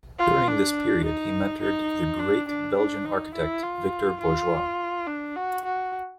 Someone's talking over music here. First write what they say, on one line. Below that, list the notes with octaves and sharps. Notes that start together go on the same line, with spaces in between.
During this period, he mentored the great Belgian architect, Victor Bourgeois.
F4
D4
D#4
D#4
D4
D4
D4
D#4
E4
F4
F4
D4
F#4
F#4